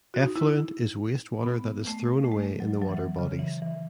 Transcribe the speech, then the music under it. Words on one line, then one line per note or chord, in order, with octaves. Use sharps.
Effluent is waste water that is thrown away in the water bodies.
F#4
D#4
E4
B3
A3
A3
G#3
F#3
F#3
E3
C#3
E3
E3